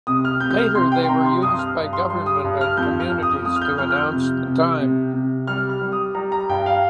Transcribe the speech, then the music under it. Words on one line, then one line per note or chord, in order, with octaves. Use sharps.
Later they were used by government and communities to announce the time.
C3 D#6
F6
C3 G6
G6
F6
C3 C6
G5
C6
C3 A#5
C6
G2 D#6
F6
G2
C6
G3 C6
D#6
G2
F6
F2 G6
F6
F2
D#6
F2 D#6
F6
G6
F2 F6
F6
G6
C3
C3
C3
C3
G3 F6
F6
G3
D#6
G3 A#5
A#5
G2 G5
F5